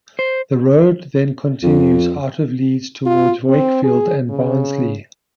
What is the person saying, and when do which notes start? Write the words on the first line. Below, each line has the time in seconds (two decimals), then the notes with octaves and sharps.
The road then continues out of Leeds towards Wakefield and Barnsley.
0.19 C5
1.63 F2
3.06 F4
3.49 C4
3.84 G#4
4.30 C#3